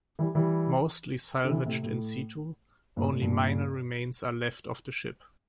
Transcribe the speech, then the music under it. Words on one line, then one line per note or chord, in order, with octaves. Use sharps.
Mostly salvaged in situ, only minor remains are left of the ship.
E3 G3
E3 G3
D3
C3 E3
A2 C3
A2
G2 A#2
A2
G2 A#2